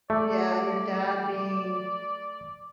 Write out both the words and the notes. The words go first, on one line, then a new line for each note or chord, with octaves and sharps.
yeah, your dad being
A3 D5